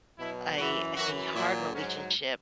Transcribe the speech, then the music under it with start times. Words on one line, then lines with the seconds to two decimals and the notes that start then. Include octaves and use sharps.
I a hard relationship
0.19 B2 F#3 E4
0.58 F#2 E3 F#4
0.96 F#2 E3 F#4
1.34 A#2 F#3 E4
1.73 G#2 F#3 C#4